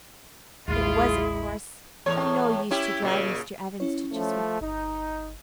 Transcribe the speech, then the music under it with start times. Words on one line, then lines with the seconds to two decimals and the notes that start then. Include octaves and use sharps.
It was, of course, of no use to drive Mr. Evans to Chiswick.
0.68 A1 D#2 G#3 E4 F4 G#4
2.06 E2 A2 C#5
2.71 C#4 E4 G4
3.02 A#2 C#3
3.80 C#4 E4 C#5
4.12 F3 A3
4.61 G1 D#4